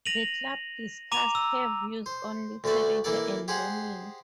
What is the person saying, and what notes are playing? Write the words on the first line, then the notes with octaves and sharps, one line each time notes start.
The club discussed her views on literature and learning.
A#6 D#7 F7 F#7
A#5 D6 D#7 F7
E6
C5
D2 D3 A3 B4 D5
E3 A#3 A4 D5
G4 G#4 C5 D#5 F#5 G#5